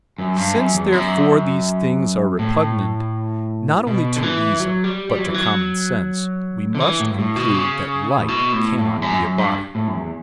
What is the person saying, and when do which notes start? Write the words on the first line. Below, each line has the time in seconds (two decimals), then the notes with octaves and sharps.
Since, therefore, these things are repugnant, not only to reason, but to common sense, we must conclude that light cannot be a body.
0.18 F#2
0.36 G2
0.55 F#2
0.74 E2
0.92 F#2
2.39 A2
3.87 B2
4.16 D3
4.23 E3
4.60 F#3
4.84 G3
5.09 G3
5.18 F#3
5.25 E3
5.34 F#3
6.75 D3
6.80 E3
7.00 A2
7.11 G2
7.18 A2
7.36 B2
7.54 C#3
8.17 A2
8.28 B2
8.53 A2
8.78 A2
8.97 E2
9.02 F#2
9.21 F#2
9.38 G2
9.75 A2
9.88 F#2
9.93 E2